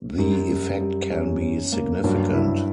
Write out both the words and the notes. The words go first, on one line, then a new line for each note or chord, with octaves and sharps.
The effect can be significant.
F#2 G3
G3
G3
C#4
C#4
A#3
G2 F#3
E4